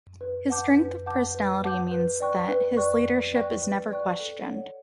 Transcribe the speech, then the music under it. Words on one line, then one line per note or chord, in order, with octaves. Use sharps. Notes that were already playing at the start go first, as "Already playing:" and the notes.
His strength of personality means that his leadership is never questioned.
B4
F#5 A5 D6 G6
B4
F#5 A5 D6 G6
B4
F#5 A5 D6 G6
B4
D5 G5 C#6 F#6
B4
D5 G5 C#6 F#6
B4
D5 G5 C#6 F#6
B4
D5 G5 C#6 F#6
A4
C#5 F#5